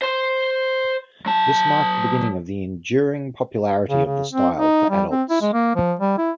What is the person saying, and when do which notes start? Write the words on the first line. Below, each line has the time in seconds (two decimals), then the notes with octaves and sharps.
This marked the beginning of the enduring popularity of the style for adults.
0.02 C5 C6
1.26 F#3 A5
3.89 C#3
4.05 C#3
4.33 C4
4.56 D#4
4.90 G3
5.11 C4
5.30 E4
5.41 G#3
5.53 A#3
5.76 F3
5.99 G3
6.18 E4